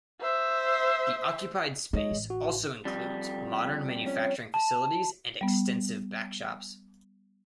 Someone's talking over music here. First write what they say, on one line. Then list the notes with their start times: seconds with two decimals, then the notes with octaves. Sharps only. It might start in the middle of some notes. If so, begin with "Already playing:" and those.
The occupied space also includes modern manufacturing facilities and extensive back shops.
0.21 C5 E5
1.93 G#3 D#4 C#5 D#5
2.11 A1
2.30 F#4
2.85 F2 G3
4.06 C#4
4.54 A5
5.41 G3 B3